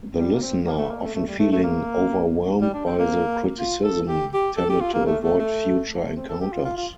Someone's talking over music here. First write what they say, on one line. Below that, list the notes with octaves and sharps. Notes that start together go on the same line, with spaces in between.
The listener, often feeling overwhelmed by the criticism, tended to avoid future encounters.
G3
A#3
C4
A#3
A3
A#3
A3
A3
G3
A3
A3
A#3
G3
D4
C4
A#3
F4
A4
G4
G4
A4
G4
F4
A#3
A3
A3
A3
A3
C4
A4
G4
F4
F4
F4